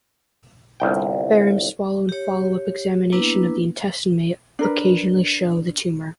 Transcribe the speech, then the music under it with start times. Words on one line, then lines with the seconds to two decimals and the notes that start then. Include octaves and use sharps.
Barium swallow and follow-up examination of the intestine may occasionally show the tumor.
0.80 G1 C2 G5
2.09 G4 C#5
3.12 A#3 B3 D4 E4 B4
4.59 D4 A#4 B4